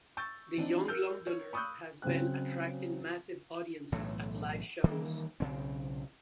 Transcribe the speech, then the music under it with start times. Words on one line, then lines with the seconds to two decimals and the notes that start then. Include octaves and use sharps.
The young Londoner has been attracting massive audiences at live shows.
0.17 C#6 E6 G6 A6
0.57 E3 C4 D4 D#4
0.88 A#4 E6 F6 G6
1.27 C#5
1.53 B5 C#6 D#6 E6 F#6 G6
2.02 C#3 F#3 C4 F#6
3.92 B1 A2 E3 A3
4.84 D#3 E3 G3 A#3
5.40 B1 C#3 C4